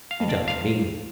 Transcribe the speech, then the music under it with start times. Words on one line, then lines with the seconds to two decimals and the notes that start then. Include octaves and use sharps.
"You don't mean--?"
0.11 F5
0.20 F2
0.29 D5
0.47 C3 F5